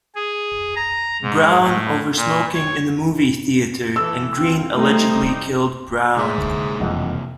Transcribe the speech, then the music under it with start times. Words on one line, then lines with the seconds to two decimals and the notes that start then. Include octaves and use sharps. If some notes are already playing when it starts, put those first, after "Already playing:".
Brown over smoking in the movie theater, and Green allegedly killed Brown.
0.15 G#4
0.76 A#5
1.22 G#2
1.61 A2
2.16 A#2
2.54 C#5
3.96 E3 A4 E6
4.38 C4 F4
4.76 G3 A3 D#4 C5
6.17 G#2 C3 A#3 E5
6.38 D3
6.80 E1 F2 E3 G3 D#4 F#5